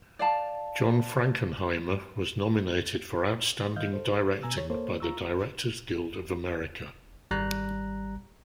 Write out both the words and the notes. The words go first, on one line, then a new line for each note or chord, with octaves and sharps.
John Frankenheimer was nominated for Outstanding Directing by the Directors Guild of America.
D5 F5 A5
D#3 D#5 F5 F6 G6
A4 C5
B2 G#5 A#5 E6
C#5
A#3 A4 C5 C#5
F4 A#5 C#6 E6
G#1 G3 A#5 F#6